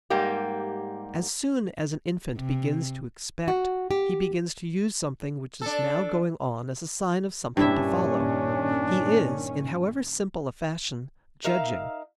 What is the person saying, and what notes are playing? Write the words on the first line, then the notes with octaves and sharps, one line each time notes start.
As soon as an infant begins to expect he begins to use something which is now going on as a sign of something to follow; he is, in however simple a fashion, judging.
G#2 G3 A#3 G4
C3
F#4
G4
D4 A4
G2 A#2 D#3 C#4 D4 E4 E5
D#4 A#4 E5 F5